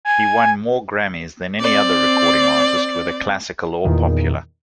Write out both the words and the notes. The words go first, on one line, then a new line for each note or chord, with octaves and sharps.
He won more Grammys than any other recording artist, whether classical or popular.
G#5
C4 D5
E2 A#2 D#3